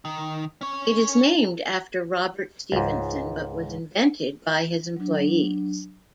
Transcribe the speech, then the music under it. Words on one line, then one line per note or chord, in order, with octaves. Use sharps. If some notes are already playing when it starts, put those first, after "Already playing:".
It is named after Robert Stephenson but was invented by his employees.
D#3
C#4 C#5
C#2 G#2
F#3 D4